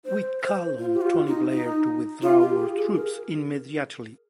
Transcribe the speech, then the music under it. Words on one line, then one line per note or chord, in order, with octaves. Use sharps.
We call on Tony Blair to withdraw our troops immediately.
C5
C5
F4
G4
F4
D#4
D#4
F4
G4
G#4
G#4
A#4